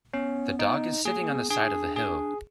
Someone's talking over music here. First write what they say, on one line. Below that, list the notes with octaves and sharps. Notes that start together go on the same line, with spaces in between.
The dog is sitting on the side of the hill.
B3 C#4
D#4
A#3 G#4
A#3
C4
B3
D4 G#4
D#4
D4
G#4